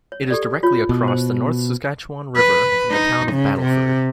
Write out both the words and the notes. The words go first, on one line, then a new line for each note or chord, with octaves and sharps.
It is directly across the North Saskatchewan River from the Town of Battleford.
C#5
G4 A4 D5
F4 C#5
B2
C5
B4
D#4
C#3
C3